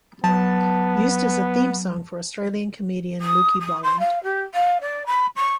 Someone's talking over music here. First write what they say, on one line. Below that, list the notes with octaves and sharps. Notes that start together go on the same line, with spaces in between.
Used as a theme song for Australian comedian Lukey Bolland.
F#3 B3 A5
D#6
D#6
C6
F5
G4
F5
D5
B5
C#6